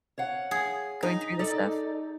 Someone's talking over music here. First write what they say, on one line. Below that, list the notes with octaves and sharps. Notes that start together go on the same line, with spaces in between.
going through this stuff?
C#5 F5 F#5
G#4
D#4
A4 D5